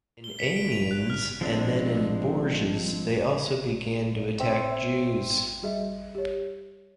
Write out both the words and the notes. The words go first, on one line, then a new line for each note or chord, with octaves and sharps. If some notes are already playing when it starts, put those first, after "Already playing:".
In Amiens, and then in Bourges, they also began to attack Jews.
G7
B6
D7
F7
F#6
F6
F3 G#3 C4 D4
C4 E5
G3 F#4 G#4 D#5 E5
G4 C#5